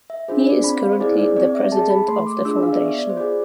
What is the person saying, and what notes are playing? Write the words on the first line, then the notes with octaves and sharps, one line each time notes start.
He is currently the president of the foundation.
E5
D4 F4 G#4 C5
D5
C4 B5
F5
C5
E4 G#4 D5
D5
C4 D5
E5
G#4 A5
B5
A3 C6
D6
D4 F4 G#4 E6
F5
D5
B3 E5
D5
C5
F4 G#4 D5